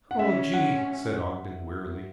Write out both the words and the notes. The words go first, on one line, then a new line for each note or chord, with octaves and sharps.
"Oh, Gee," said Ogden wearily.
F#5
C#4 E5
F#5